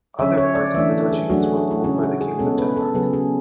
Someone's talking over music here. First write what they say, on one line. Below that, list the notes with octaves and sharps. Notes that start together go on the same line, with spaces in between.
Other parts of the duchies were ruled by the kings of Denmark.
D3 F#3 C#4 E5
C#5
D5
E3 A3 D4 E5
G#4
F#3 A3 D4 F#4
G#4
F#4
F#4
C#3 G#3 C#4 E4 G#4
F#4
G#4
B2 G#3 C#4 A4
B4
A4
C#3 F#3 B3 G#4
G#4